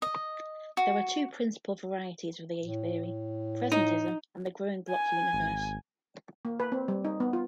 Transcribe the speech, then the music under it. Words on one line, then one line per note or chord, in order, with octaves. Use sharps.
There are two principal varieties of the A-theory, presentism and the growing block universe.
D#5
F#4
A2
D#4
G#5
G#1
A#3
B4
C4
G3
D#4
B3
F4